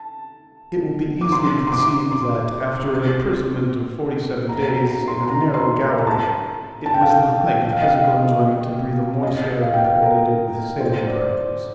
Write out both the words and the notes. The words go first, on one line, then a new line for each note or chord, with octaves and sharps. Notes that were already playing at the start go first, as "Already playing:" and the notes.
It will be easily conceived that after an imprisonment of forty seven days in a narrow gallery it was the height of physical enjoyment to breathe a moist air impregnated with saline particles.
Already playing: A5
D6
C6
C6
D6
C6
A#5
A#5
A#5
C6
A#5
C6
A#5
A#5
A5
A5
G5
F5
G5
G5
F5
D#5
F5
D#5
F5
G5
F5
A#4
C5
D5